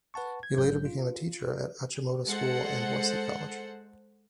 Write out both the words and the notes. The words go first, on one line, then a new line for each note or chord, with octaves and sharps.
He later became a teacher at Achimota School and Wesley College.
B4 F#5 A5 C#6
G#6
A1 G#2 F#3 G6
F4
G#3 A4 C5 F#5